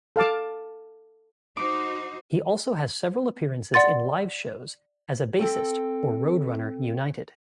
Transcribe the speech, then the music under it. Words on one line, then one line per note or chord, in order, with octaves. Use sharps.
He also has several appearances in live shows as a bassist for Roadrunner United.
A4 F5 A5 D6
D#4 F#4 C5 D6
D5 F#5 C6 A6
C4 A4 G5